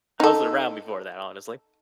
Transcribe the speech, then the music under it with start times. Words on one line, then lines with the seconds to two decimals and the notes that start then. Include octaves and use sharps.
I was around before that, honestly,
0.20 D#4 A4